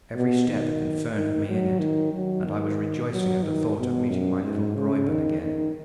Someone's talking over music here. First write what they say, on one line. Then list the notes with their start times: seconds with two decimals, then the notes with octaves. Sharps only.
Every step confirmed me in it, and I was rejoicing at the thought of meeting my little Graeuben again.
0.15 B2
0.48 D#3
1.14 D#3
1.47 F#3
1.79 D#3
2.13 F#3
2.45 D#3
3.11 F#3
3.43 D#3
3.77 B2
4.09 F#2
4.42 G#2
4.75 C#3
5.08 D#3
5.41 D#3